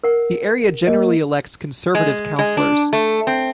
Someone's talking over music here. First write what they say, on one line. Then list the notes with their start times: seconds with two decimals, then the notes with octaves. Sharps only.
The area generally elects Conservative Councillors.
0.04 A#4 F#5
0.87 A#3 D#5
1.95 G#3
2.39 G#3
2.57 D4
2.93 A3
3.27 C4